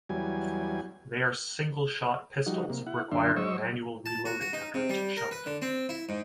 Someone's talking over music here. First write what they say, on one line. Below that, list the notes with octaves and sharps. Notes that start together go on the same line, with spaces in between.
They are single shot pistols, requiring manual reloading after each shot.
E2 F#3 G3 G#5
F3 G3 D#4 F#4
C3 A#3
E4 F#5
F#2 D3 A#3 D4 E5 C6
F#3 C5 D#5 C#6 E6
A5
F#4
F#4
D#4
C3
G3
A#4
B4
D3
C4
E4
G#2